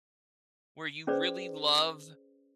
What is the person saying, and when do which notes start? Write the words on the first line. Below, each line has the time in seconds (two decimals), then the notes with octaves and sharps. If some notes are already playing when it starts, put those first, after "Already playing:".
where you really love
1.07 C#4 G#4 B4 C5 D5